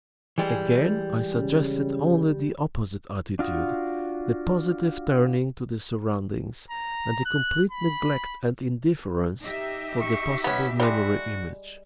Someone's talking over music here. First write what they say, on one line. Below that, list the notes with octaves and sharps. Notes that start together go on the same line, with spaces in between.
Again I suggested only the opposite attitude, the positive turning to the surroundings and the complete neglect and indifference for the possible memory image.
E3 G3 G#3
C#3
D4 F4 F#4 D#6
A#5
F#6
B5
D#4 G4 E5
C#6
B3 C#4 B5
G3 G#3 F#4